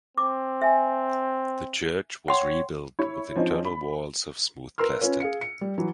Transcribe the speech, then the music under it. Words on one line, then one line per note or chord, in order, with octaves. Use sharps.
The church was rebuilt with internal walls of smooth plastered.
C4 D6
E5 G#5
C#5 F#5 G5 C6
E4 C#5
F3 C4 C#4 D#4
B5
A#4 B4 C6 E6 F6
C#4 F4 B4 C#5
G#4 F5 C#7
C#7
G3
E3 F#3